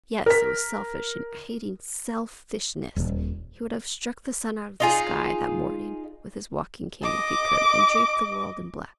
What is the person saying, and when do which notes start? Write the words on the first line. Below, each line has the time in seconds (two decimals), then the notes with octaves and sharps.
Yes; it was selfish--and hating selfishness--he would have struck the sun out of the sky that morning with his walking-cane, if he could, and draped the world in black.
0.26 A#4 B6
2.96 D#1
4.80 D#4 F4 G#4
7.03 D#5 D6